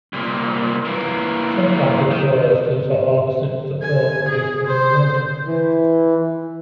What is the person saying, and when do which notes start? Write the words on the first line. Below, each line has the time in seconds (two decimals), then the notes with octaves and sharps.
Some kinds of pearl oysters are harvested for the pearl produced within the mantle.
0.13 C2 A#2
0.85 E3 A#3
2.11 D#3
3.82 G#5
4.29 G#4
4.67 C5
5.45 E3